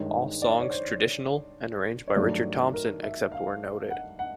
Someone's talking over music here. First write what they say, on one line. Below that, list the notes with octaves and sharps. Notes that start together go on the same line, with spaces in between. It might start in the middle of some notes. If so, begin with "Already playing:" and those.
All songs Traditional and arranged by Richard Thompson except where noted.
Already playing: G2 D#3 G#3 C#5
D5
C#5
C5
C#5
G2 D#3 F#3 A3 D5
A#4
E5
F5
F#5
F#5